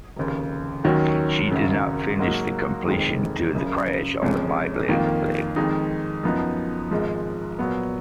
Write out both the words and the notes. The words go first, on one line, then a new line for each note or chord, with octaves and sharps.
She did not finish the competition due to a crash on the bike leg.
F1 D#2 C#3
D#2 D#3 F#3 C#4 F#4
G#1 F#2 C#3 F#3
G#2 F#3 A#3 D#4 F#4
F1 F2 D#3 G#3
F#1 F#2 C#3
F1 F2 F3 G#3 C#4
F2 D#3 A#3 F4
F2 D#3 G#3 D#4
F#2 F3 B3 D#4
G#1 G#2 F3 G#3
A#2 F#3 B3